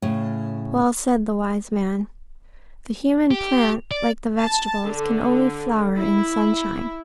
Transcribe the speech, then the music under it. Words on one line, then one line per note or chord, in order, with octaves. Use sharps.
Well said the wise man, "The human plant, like the vegetables, can only flower in sunshine."
A2 C#3
G4
D5
A5
D3
E4